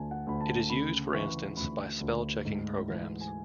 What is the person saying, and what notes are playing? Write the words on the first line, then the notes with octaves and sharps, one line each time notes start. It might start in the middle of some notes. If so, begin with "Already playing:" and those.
It is used, for instance, by spell-checking programs.
Already playing: D2 G#5 A5
F#5
D2 B5
A5
C#3 B5
E3 C#6
D2 B5
D2
G#2
E3
G#5